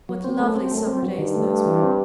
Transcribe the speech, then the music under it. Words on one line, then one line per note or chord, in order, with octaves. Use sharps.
What lovely summer-days those were!
F#3
C4
F#2 A3
C4
F#2 A3
C4
G2 F#3
D#3
A3
A3
E3
C4